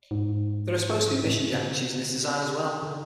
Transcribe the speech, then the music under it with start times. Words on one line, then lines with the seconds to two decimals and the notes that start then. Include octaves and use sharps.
There are supposed to be mission jackets using this design as well.
0.11 G#2
1.24 A2
1.38 C#3
1.52 C3
1.66 D3
2.83 D3